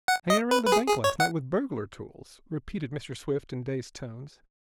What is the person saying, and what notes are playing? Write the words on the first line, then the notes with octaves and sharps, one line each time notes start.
"Hanging around the bank last night with burglar tools?" repeated Mr. Swift, in dazed tones.
F#5
D#5
B4
B4
G#4
G#4
C#5
F#5